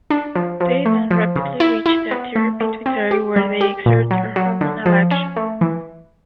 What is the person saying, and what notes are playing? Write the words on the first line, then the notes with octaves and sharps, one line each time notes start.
They then rapidly reach the anterior pituitary where they exert their hormonal action.
D4
F3
F3
A3
F3
C#3
E4
E4
B3
A3
A3
C4
G4
G3
G4
A#2
F#3
F#3
D3
F3
C#4
A3
E3